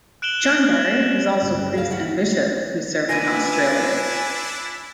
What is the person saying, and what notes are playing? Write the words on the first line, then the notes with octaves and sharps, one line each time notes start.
John Barry was also priest and bishop who served in Australia.
F#6 D7 E7 F#7 G7
G1 C#2
G#4 F5
E4 F#4 F#5 F6
D4 E4 F4 B4 G#5 A#6 D#7